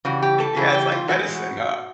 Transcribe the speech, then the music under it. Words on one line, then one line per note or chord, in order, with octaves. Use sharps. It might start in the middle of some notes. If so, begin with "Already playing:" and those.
Yeah, it's like medicine, huh?
C#3 E3 G3 F#4
G4
A4
C#3 E3 G3 G#4
G4
F4
A2 E3 G#3 F#4